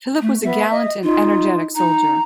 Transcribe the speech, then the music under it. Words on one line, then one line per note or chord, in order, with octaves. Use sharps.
Philip was a gallant and energetic soldier.
A3
B3 E5
D#5
D#4 F4
D#4 A#5